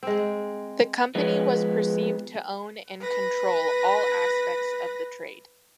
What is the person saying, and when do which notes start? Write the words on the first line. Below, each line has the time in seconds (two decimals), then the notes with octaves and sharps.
The company was perceived to own and control all aspects of the trade.
0.03 G#3 C4
1.15 F3 G#3 B3
3.00 B4 A#6